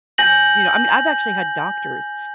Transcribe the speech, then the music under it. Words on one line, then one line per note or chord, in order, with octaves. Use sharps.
you know, I mean, I've actually had doctors
G#5 G6 A#6 F#7